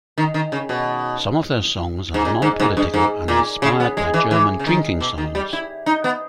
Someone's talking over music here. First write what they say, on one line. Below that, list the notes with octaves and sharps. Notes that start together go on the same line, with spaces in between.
Some of their songs are non-political and inspired by German drinking songs.
D#3
D#3
C#3
B2
G#2
A#2
G#2
G#2
G2
G#2
A#2
C#3
B3
G#3
E3
E3
C#3
D#3
B2
D#3
G3
E4
D#4
B3